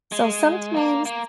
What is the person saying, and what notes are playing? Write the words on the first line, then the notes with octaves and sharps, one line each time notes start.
So, sometimes
G#3
A#3
A#3